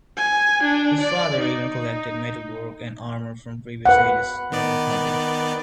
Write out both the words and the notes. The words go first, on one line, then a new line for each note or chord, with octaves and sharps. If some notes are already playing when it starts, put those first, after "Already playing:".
His father even collected metalwork and armour from previous ages as a hobby.
G#5
D4
D5
D#4
B4 F#5
D#3 B3 D5